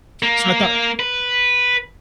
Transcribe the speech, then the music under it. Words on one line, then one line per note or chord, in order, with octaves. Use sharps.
so, I thought I
A#3
B4